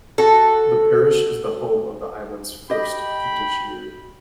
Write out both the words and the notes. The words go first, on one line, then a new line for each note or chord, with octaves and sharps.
The parish is the home of the Island's first judiciary.
F#4 A4
G4 D#5 G5 B5